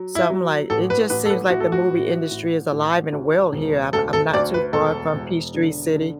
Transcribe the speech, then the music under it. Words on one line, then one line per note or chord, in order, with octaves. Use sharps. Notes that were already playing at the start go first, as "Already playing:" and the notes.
something like it just seems, like, the movie industry is alive and well here. I'm I'm not too far from Peachtree City
Already playing: F#3
E4
F#3
A1 A4
B4
A1 B4
A4
B4
A2 F#4
A4
F#4
A1
A1
A1
D2
E1
D2 A4
A4
D2 D5
B4
E1 A4
E1
D3
D3